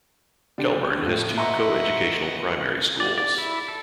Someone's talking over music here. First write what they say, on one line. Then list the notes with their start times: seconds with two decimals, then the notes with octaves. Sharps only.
Kelburn has two co-educational primary schools.
0.58 D3 G4
1.06 A2 F3
1.38 B4 D#5 E5 F#5 A#5 C6 C#6
3.00 D5
3.18 D5
3.38 E4
3.68 A4